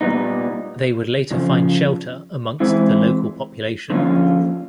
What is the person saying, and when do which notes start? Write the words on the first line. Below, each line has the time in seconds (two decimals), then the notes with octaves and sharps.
They would later find shelter amongst the local population.
0.01 A#2 G3 B3 D#4
1.31 F2 C#3 F3
2.60 E3 G#3 C4 E4
3.90 D3 F3 A#3 C#4 F4